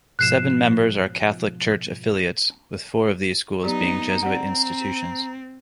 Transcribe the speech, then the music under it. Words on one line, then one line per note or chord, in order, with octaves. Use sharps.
Seven members are Catholic Church affiliates, with four of these schools being Jesuit institutions.
G#2 B2 F3 F#6 C7 E7
F#3 B3 D#4 G4 D5 A#5
C4 D5 F#5